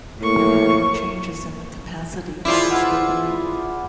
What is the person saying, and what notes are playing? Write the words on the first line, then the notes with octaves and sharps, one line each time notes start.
There are no changes in the capacity for the stadium.
A2 A#3 C#6
E4 F4 G#4 C5 D5
B4 F5 F#5